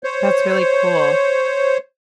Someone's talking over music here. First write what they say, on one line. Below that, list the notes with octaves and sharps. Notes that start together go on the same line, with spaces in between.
That's really cool.
C5 C#5